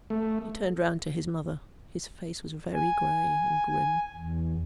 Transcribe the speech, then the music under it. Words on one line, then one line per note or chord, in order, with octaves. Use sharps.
He turned round to his mother; his face was very gray and grim.
A3
G#5
G#5
E2